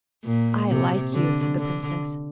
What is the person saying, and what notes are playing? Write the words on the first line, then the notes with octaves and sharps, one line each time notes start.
'I like you!' said the Princess.
A#2
C3
D3
D3